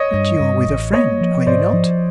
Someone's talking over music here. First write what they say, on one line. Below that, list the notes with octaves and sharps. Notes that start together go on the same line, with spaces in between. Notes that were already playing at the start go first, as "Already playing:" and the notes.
"But you are with a friend, are you not?"
Already playing: C#5 D#5
G2
G2
A1
A#3 C#5 D#5
F3
G#2 C5 D5
F3